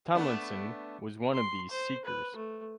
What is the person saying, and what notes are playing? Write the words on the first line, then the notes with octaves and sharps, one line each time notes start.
Tomlinson was one of these seekers.
A3 B3 D4
C6
C5
B4
A3